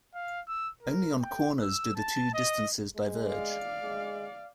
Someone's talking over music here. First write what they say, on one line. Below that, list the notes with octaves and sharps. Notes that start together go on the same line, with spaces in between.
Only on corners do the two distances diverge.
F5
E6
A#4
G5
E6
A5
D#5
G#3
D5 F5
G#3